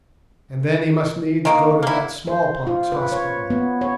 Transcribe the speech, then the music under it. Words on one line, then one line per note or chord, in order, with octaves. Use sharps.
And then he must needs go to that smallpox hospital.
D#3 A#3
A#3 E4
C5
F4
B4
C#5
B3
C#5